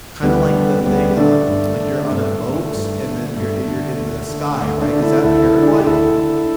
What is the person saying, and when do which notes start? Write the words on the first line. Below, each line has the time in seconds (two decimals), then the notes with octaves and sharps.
kinda, like, the thing, um like, you're on a boat, and then you're you're in the sky, right? Is that paragliding?
0.23 D2 G3 B3
0.54 D3
0.86 D2 G3 B3
1.17 D3 A3 D4
1.48 G2
1.80 D3
2.11 G2 A3
2.42 D3
2.74 G2
3.05 D3
3.36 G2 A3
3.68 D3
3.99 D2
4.30 D3
4.61 D2 A3
4.82 A3 D4
4.93 D3
5.02 E4 A4
5.24 D2 E4 A4
5.56 D3
5.63 D4
5.72 E4
5.79 G4
5.87 D2 E4 A4
6.18 D3